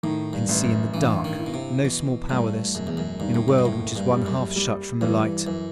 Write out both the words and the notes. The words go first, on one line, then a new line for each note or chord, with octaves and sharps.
He can see in the dark--no small power this, in a world which is one half shut from the light.
A2 D#3
G2
A1
F#2
G2 E3
D#3
E4
B2
C3
B2 E3
G2 A3
E1 F#2
E2
F#2
G2 D#3
A2
G2
B2
F#1 A2
G2
G3
F#2
G3
G2 E3
F#2 E3